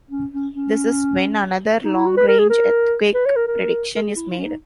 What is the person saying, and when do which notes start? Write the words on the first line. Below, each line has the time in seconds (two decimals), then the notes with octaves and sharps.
This is when another long-range earthquake prediction is made.
0.11 C#4
0.33 C#4
0.54 C#4
1.84 D#4
1.95 E4
2.06 F#4
2.17 B4
2.28 A#4
2.39 G#4
2.50 A#4
3.15 B4
3.26 C#5
3.36 A#4
3.47 A#4
3.96 A#4
4.02 G#4
4.16 E4
4.31 E4
4.38 C#4
4.45 D#4